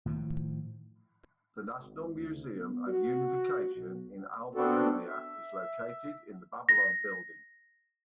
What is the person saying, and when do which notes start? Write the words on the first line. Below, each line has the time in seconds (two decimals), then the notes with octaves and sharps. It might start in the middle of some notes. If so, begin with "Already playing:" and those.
The National Museum of Unification in Alba Iulia is located in the "Babylon" Building.
0.06 A2 D#3 F3
1.79 G#1
2.14 D2
2.55 B3
2.88 F#4
3.76 B1
4.55 B3 C4 D4 F#4 A4
5.08 E5
6.69 A#6